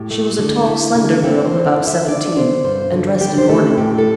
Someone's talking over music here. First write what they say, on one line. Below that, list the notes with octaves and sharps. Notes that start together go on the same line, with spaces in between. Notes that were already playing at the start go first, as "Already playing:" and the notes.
She was a tall, slender girl of about seventeen, and dressed in mourning.
Already playing: A2 G4
A3
D3 A4
E4
D3
C4 A4
C5
C4
D5
E4
E5
D4 D5
D3 C5
G2 C5
D3
D4 G4
C5
A3 A4
A2 G4
A4